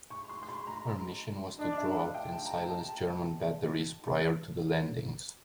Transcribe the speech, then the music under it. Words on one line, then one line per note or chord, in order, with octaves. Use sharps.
Her mission was to draw out and silence German batteries prior to the landings.
C#6
C6
C6
B5
A#5
D4 D#5
E5
F5
G5
A5
A#5
A5